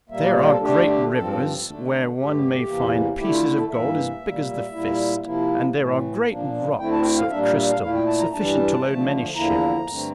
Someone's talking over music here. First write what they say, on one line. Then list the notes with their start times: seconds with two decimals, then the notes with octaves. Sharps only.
"There are great rivers where one may find pieces of gold as big as the fist; and there are great rocks of crystal, sufficient to load many ships."
0.09 A#2 G3 A#3 E5
0.23 D5
0.36 C5
0.49 A4
0.61 D3 A3 D4 G4
0.87 G4
1.13 G2 F3 C4 A4
1.64 D3 A3 D4
2.15 G2 D3 A3 G4
2.67 E2 C3 E3 A#3
3.18 D3 A3 E4 G4
3.32 F4
3.56 A4
3.70 G2 E3 A#3 E5
4.21 A#2 G3 A#3
4.72 A#2 G3 A#3 E4
5.24 C3 F3 A#3 E4
5.76 A2 E3 A3
6.27 A#2 F3 A#3 D4
6.78 D2 D3 A3 C4 E4 G5
6.92 A5
7.04 G5
7.17 F5
7.30 A#2 G3 A#3 D4 E5
7.43 F5
7.56 E5
7.69 F5
7.81 A#2 A3 E4 F5
7.94 G5
8.07 A5
8.20 A#5
8.33 G2 E3 G3 D4 A5
8.84 D3 F3 A3
9.35 E2 D3 F3 A#3 E4 A#5
9.87 G2 D3 A3 C4